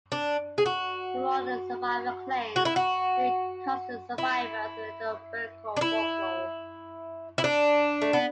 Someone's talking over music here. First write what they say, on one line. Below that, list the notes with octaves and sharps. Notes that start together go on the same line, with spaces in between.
For more on survivor claims, see "Custer Survivors in Little Bighorn Folklore".
D4
G#4
F#4
F#4
E4
F#4
E4
D4
E4
E4
D4
A3
B3